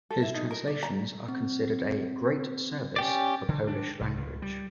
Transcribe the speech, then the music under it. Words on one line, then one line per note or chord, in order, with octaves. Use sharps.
His translations are considered a "great service" for Polish language.
A4
E4
D#4
A#4
D5
A#5
C4
C#4 G4 D5
D3
D4
C2
C#2
G3